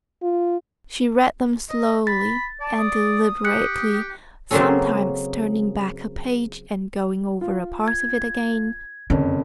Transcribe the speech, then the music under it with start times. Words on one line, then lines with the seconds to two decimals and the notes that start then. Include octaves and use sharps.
She read them slowly and deliberately, sometimes turning back a page and going over a part of it again.
0.22 F4
1.70 D#5
2.07 B5 A6
2.61 D5 A5
2.77 D#6
3.45 G4 F#6 C#7
4.51 C#3 F#3 A#3 C4 C#4 A4
7.41 F4
7.88 G#6
9.10 F#1 F2 D3 C#4